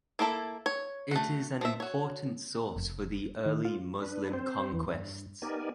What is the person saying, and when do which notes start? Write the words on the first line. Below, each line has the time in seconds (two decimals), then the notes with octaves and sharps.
It is an important source for the early Muslim conquests.
0.19 A#3 E4 A4 D#5 E5
0.66 C#5
1.11 A3 F#4
1.61 F3 E5
1.80 F#4 C#5
2.76 F1
3.46 D#3
3.65 F4
4.02 D4 B4
4.33 C4 C5
4.72 E2 E3
4.93 G2
5.42 B3 D#4 G4 A#4 D5 G#5